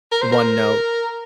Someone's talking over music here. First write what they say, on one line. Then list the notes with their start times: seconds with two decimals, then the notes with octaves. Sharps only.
one note,
0.12 A#4
0.22 C5
0.32 A#4